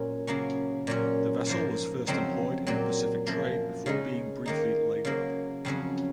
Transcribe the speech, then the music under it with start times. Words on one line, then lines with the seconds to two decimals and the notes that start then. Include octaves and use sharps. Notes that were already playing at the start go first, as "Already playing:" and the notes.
The vessel was first employed in the Pacific trade before being briefly laid up.
Already playing: A#2 F#3 C#4
0.27 C#3 F#3 A#3 C#4
0.87 A#2 F#3 C#4
1.47 G#2 F3 A#3
2.07 F2 C#3 F#3 C4 D#4
2.67 A#2 F#3 C4
3.27 F#2 F3 A#3
3.86 C#3 G#3 D#4
4.46 D#3 A#3 D#4
5.05 C#3 F#3 A#3
5.65 F2 C#3 F#3 C#4